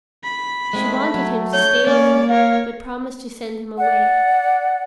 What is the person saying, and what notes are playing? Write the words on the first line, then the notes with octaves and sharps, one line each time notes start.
She wanted him to stay with her but promised to send him away.
B5
G#3 A3 C4
F#3
C#5 G6
A#3 C#4 D5
A#4 C#5 F5
D5 F#5